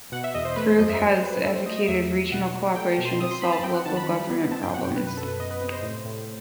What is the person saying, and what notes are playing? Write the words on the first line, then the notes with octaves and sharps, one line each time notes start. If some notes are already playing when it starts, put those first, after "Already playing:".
Frug has advocated regional cooperation to solve local government problems.
B2 F#5
E5
E2 D#5
C5
A3 B4
C5
F#2 D#5
E5
F#3 D#5
C5
F#3 B4
B4
A3 A4
C5
A3 D#5
D#5
E2 E5
E2
B2 F#5
F#3
A3 G5
A5
B2
C6
C4 D#6
C6
C4 B5
A5
C4 G5
F#5
D#3 A5
B5
G3
B3
C4 A5
G5
B2 F#5
G5
F#2 B4
B4
F#2 A4
B4
B3 D#5
B4
C3 B4
D#5
C5
A2
A2